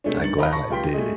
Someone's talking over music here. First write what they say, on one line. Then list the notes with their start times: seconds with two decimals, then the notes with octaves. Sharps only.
I glad I did it.
0.04 C3 G#3 A3 C#4 D4
0.20 G2 D#3 A6 C#7 F#7
0.38 D#4 A#5 B5
0.52 A5 B5 C#6 A#6
0.70 C#2 F4 G4 G5 C6 B6
0.94 G3 A3 G#4 D#5